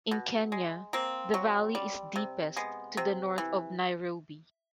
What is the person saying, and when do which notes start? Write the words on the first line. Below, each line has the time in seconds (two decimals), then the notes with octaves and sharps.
In Kenya, the valley is deepest to the north of Nairobi.
0.11 B2
0.52 G#3
0.93 A#3 C4
1.34 F#3
1.75 G3
2.16 C3
2.57 G#3 B3
2.97 C3
3.38 E3